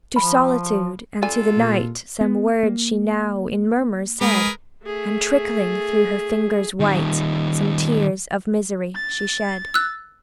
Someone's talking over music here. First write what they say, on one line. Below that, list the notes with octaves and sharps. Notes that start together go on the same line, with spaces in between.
To solitude and to the night, Some words she now, in murmurs, said; And trickling through her fingers white, Some tears of misery she shed.
F3 B5
C3 G3 F4 A4 G#5
A#2
B3
A#3
G#3 G#4 A#4 B4
A3 G#4
D#3 G3
A6
E6 F#6